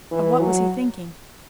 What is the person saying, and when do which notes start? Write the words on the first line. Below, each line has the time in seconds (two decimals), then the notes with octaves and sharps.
Of what was he thinking?
0.12 E3
0.41 F#3